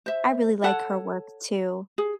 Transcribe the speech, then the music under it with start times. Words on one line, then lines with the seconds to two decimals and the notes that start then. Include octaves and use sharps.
I really like her work too.
0.06 C5 E5
0.64 A4 C#5 F#5 A5
1.98 G#4